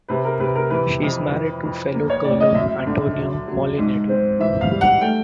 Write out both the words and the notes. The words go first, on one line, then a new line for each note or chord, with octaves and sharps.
She is married to fellow curler Antonio Mollinedo.
C3 B4
A#4
C3 B4
A#4
E3 B4
F2
F2
F2
A#3
C#5
A2 D5
D#5
F#2 E5
D3
F#3
F#3
G#2
C4
E3 E5
F5
G3
F#5
A3 G5